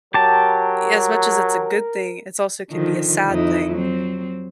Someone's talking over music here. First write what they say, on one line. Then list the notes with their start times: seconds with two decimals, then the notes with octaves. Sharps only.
as much as it's a good thing, it's also can be a sad thing
0.14 F#3 G4 A#4 A5
2.70 D3 D#3 F3
3.28 F2 D#4 E4
3.73 F#3 C4